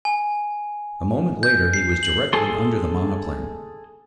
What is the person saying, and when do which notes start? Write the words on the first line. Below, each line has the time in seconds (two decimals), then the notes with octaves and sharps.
A moment later he was directly under the monoplane.
0.05 G#5
1.43 G6
1.74 C7
2.03 F#7
2.33 G#4 A4 C6